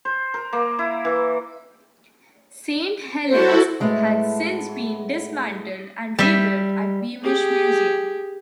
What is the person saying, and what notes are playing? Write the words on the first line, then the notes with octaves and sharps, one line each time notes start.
Saint Helen's has since been dismantled and rebuilt at Beamish Museum.
C5
A#4
A#3
E4
E3
E4 F#4 A4 C5
A2 G#3 A3 B3 E4
G3 E5
G4 G#4